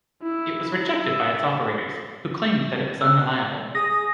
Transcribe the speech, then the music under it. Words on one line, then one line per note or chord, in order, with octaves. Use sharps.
It was rejected by its operators, who claimed that it was unreliable.
E4
E5
E6 F#6
G#4 D#6 A#6